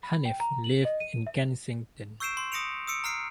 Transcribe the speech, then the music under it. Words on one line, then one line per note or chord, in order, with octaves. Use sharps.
Hanif lives in Kensington.
B5
G5
A#5
F#7
D#5
D#7
E5
C#6 E6 G6 C7 D7 E7
C6
D#6 A#6 C#7 D7 F7
D#6 E6 C#7 D7
A#5 F6 C7 D7